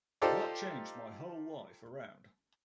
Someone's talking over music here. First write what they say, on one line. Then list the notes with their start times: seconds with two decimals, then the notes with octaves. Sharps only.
That changed my whole life around.
0.22 D#4 F4 G4 A4 C5 D5